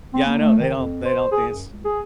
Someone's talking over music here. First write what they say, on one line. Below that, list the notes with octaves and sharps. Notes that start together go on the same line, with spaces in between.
Yeah. I know, they don't they don't the ins
C4
A#3
A3
D#3
F2
C5
G#4
F#2
C#2
G#4